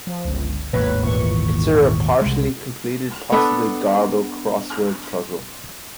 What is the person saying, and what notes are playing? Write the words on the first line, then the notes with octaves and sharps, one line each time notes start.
Consider a partially completed, possibly garbled crossword puzzle.
F3
G1 C#2
G#1 D#2 A2 B4 C#5
A#2 E3 C#6
C2 G#3
B3 D4 A4 B4